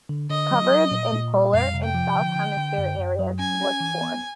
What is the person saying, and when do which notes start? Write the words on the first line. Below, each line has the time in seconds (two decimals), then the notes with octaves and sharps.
Coverage in polar and south-hemisphere areas was poor.
0.09 D3
0.30 D3 D#5
0.51 F#3
0.71 F#3
0.91 A#2
1.13 A#2
1.33 G3
1.54 F2 F5
1.74 C3
1.84 G5
1.95 F3
2.16 D3
2.36 D3
2.57 D3
2.78 F#2
2.99 F#2
3.19 F#3
3.39 C#4 G#5
3.61 C#4
3.80 E3
4.01 B3